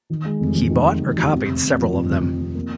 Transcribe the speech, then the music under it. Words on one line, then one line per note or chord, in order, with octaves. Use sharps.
He bought or copied several of them.
D#3
G#3
F1
D#2
D#3
G#3
F1
D#2
C3
F1
F1
F2
C3
F1
F1
F2
A#3